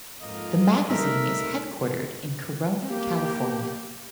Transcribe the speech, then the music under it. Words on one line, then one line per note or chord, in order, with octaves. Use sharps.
The magazine is headquartered in Corona, California.
F2 G#2 A#3 F4 D#5
D#3 G3 A3 D#4 A#4 E5
A#3 G4